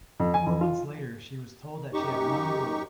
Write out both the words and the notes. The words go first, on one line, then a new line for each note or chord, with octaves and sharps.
Four months later, she was told that she had won the role.
F2
G#5
F2
F4
F#2 D#4 G4 C#6